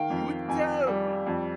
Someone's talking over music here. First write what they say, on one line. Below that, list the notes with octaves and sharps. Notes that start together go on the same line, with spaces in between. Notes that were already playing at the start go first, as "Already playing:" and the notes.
You were terrible!
Already playing: D#3 F5 G5
F2
F2 G#5
G3
F2